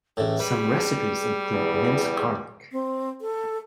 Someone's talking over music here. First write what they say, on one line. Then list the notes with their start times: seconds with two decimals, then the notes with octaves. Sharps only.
Some recipes include minced garlic.
0.17 A1 A2 G#4
0.40 G3 B4
1.52 E2
2.72 C4
3.21 A4